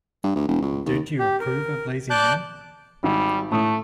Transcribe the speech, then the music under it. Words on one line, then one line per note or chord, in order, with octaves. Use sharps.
Don't you approve of lazy men?
G2
D2
E1
C#2
D#2
G4
A#4
D5 A5 D6 F#6 G6
G#1 G3
A2 A3 D#6